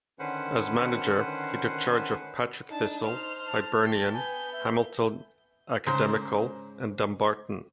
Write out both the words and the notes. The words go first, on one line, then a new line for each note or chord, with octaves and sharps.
As manager, he took charge of Partick Thistle, Hibernian, Hamilton Academical and Dumbarton.
D3 D#3 C#4 B4 C5 F#5
D4 D#4 A5
C5 F6
A5
G5
B3 G#5 G6
E5
G#2 C#3 C5 A#5